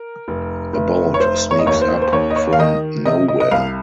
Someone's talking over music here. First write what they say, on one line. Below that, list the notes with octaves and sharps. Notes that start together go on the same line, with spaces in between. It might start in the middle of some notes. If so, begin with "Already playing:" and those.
A boat sneaks up from nowhere.
Already playing: A#4
F1
F1
C#5
F1 C5
C#5
D#5
D#2 C#5
C5
C5
D#2 C#5
D#5
C#5
F5
D#3 D#5
C3 D#5
D#5
D#5
C2 F5